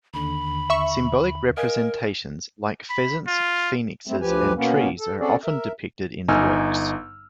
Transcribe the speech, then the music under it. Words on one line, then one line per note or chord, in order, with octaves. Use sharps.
Symbolic representations, like pheasants, phoenixes and trees are often depicted in the works.
D#2 D3 B5
E5 C#6
A#4 D#5 F5 G#5
B5
F4
G3 A3 C4
D2 F3 G4 B4 G#5
B2 A#3 B3 C#4
A4
C4 C#4 F#4 G#4 A4 D5
A#4 E5
G1 D#4 G#5 E6 F6